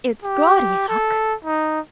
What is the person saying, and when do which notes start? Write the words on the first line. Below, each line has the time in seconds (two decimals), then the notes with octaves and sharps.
It's gaudy, Huck.
0.24 G4
0.88 A4
1.44 D#4